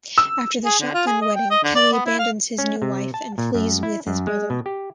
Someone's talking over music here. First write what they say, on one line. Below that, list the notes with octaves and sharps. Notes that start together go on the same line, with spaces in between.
After the shotgun wedding, Kelly abandons his new wife and flees with his brother.
E6
G#4
D3
F4
G#4
D#5
G5
D#5
D3
D5
B3
E4
F5
C#4
C3
A5
A#2
F#2
E4
F#2
G#3
B2
G4